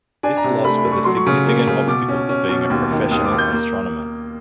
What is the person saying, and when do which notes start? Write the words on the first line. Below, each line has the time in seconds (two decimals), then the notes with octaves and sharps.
This loss was a significant obstacle to being a professional astronomer.
0.23 D4 G#5
0.37 A#5
0.44 C3
0.64 A3 B5
0.78 B5
0.85 A3
0.92 C#6
1.04 F#3 C6
1.17 C#6
1.26 C#3
1.46 A#3
1.67 C#3
1.88 B2 D6
2.08 C#4
2.29 C#4
2.49 B2
2.70 D#2
2.91 D#3
3.11 D#2 D#6
3.25 D6
3.32 D#2
3.38 G6
3.52 A#3